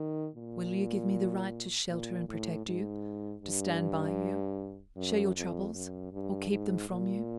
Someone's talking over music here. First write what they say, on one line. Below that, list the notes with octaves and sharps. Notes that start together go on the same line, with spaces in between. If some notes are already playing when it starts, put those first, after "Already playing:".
"Will you give me the right to shelter and protect you, to stand by you, share your troubles, or keep them from you--?"
Already playing: D#3
A#2
A#2
A2
G#2
G2
F#2
F2
F#2
G2
G#2
A#2